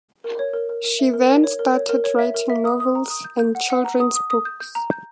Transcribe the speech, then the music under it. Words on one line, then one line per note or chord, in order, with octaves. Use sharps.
She then started writing novels and children's books.
A#4
C#5
A#4
A#4
A#4
E5
A#4
A#4
C#5
A#4
C#5
A#4
C#5
E5
A#4
E5
D#6
D#6
A#5
D#6
G6
G6
F#5
F#5
A#5
D#6
D#6
D#6
G6
G6
A#5
G6